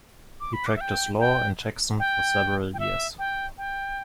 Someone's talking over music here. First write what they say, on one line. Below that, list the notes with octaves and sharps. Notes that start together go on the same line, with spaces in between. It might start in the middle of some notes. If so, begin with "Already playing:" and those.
He practiced law in Jackson for several years.
D6
B5
D6
E5
G5
G5
G5
G5
E5
G5
G5